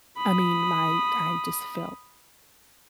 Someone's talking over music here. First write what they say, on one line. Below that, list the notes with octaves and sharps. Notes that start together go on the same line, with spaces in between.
I mean, my I just felt
B5 D#6